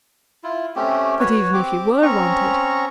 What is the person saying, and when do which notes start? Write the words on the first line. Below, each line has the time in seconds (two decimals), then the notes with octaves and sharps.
"But even if you were wanted--?"
0.44 E4 F4
0.76 A3 C4 C#4 G4
1.19 F#4 B4 C#5
1.53 C4 G4 D6
2.02 C4 C#4 A#5 C#6